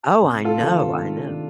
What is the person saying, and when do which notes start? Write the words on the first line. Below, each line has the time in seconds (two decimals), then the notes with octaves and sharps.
Oh, I know, I know.
0.22 C3
0.45 F4 A4
0.56 D#3 A3 D4 A4
0.90 C3
1.24 D#3 A3 D4 A4